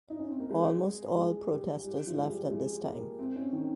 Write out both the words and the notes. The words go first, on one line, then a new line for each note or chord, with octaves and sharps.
Almost all protestors left at this time.
D#4
C#4
C4
A#3
G#3
G#3
G3
G3
F3
G#3
G3
G#3
A#3
C4
C#4
D#3